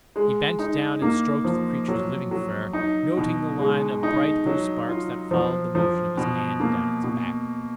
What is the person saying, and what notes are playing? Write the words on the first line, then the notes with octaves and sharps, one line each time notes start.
He bent down and stroked the creature's living fur, noting the line of bright blue sparks that followed the motion of his hand down its back.
G#3
D#4
A#3
F3
F#3
F#3
D#4
B2
G#3
D#4
F#3
F4
F3
F3
B2
A#3
B2